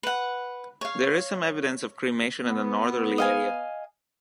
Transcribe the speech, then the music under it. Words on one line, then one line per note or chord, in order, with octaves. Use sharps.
There is some evidence of cremation in the northerly area.
B4 F#5
C#5 F5
B3
D#5 F5 G#5